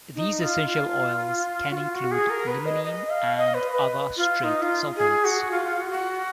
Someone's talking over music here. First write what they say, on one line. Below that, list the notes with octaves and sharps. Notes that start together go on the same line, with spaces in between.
These essential oils can include limonene and other straight solvents.
D#4
F4
F4
F#4
F4
F#4
G#4
A#4
B4
D#5
D#5
F5
D#5
B4
B4
F4
D#4
F4
G#4
F#4
F4
F4
F#4
F#4